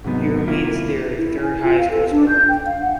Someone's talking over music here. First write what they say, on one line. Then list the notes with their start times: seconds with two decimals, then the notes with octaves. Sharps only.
He remains their third highest goalscorer.
0.04 G#2 C3 F#3 B3 D#4
0.48 D#2 C3 A#3 E4 F4
1.18 E4
1.39 G#5
1.62 F4
1.77 F5
1.91 A4
2.10 D4
2.28 G6
2.48 G5
2.65 F5
2.81 F#5